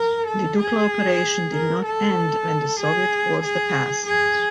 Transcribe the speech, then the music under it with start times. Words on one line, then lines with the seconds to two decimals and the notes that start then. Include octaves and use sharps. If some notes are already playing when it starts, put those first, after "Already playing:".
The Dukla operation did not end when the Soviets forced the pass.
Already playing: A#4
0.27 A4
0.59 G#4
1.53 A#4
1.85 A4
2.80 G#4
3.44 G#4
4.07 G#4